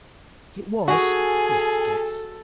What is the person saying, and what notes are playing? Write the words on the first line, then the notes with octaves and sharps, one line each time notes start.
It was--yes, guess!
F#4 G#4 A4 G#5